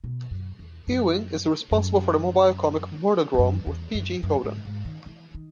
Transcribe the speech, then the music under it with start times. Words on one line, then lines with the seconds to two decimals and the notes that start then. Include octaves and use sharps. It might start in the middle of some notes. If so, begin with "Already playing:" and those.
Ewing is responsible for the mobile comic "Murderdrome" with P. J. Holden.
0.04 B2
0.31 F#2
0.59 E2
0.87 F#2
1.71 F#2
3.34 E2
3.39 F#2
3.66 E2
3.94 F#2
4.23 F#2
4.43 G#2
4.65 G#2
4.85 D#3
5.06 E3
5.35 D#3